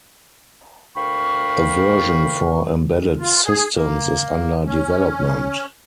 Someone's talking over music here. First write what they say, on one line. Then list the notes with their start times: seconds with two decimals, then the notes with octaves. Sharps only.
A version for embedded systems is under development.
0.96 D2 A#4 F5 G5 B5 C#6
3.20 F4
3.45 G#4
3.75 A#3
4.66 C#4